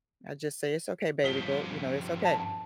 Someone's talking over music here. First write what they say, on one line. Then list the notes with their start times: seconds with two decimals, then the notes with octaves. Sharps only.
I just say, "it's okay, baby, go you know, it's okay.
1.24 G2 F3 B6 G7
2.25 A5